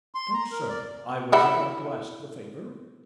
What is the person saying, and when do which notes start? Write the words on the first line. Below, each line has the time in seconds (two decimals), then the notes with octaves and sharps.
"Thanks, sir; I was about to ask the favour."
0.15 C6
0.34 A#5
0.51 A#4
0.69 D5
1.32 E3 E4 F#4